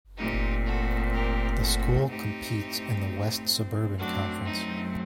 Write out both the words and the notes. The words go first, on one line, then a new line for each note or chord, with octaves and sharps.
The school competes in the West Suburban Conference.
A#2 A3 C4 D#4 G4
F#4 A4
G4 A#4
F#4 A4
A2 A3 C4 D#4 G4
F#2 F#3 A3 C4 D4 F#4
D#4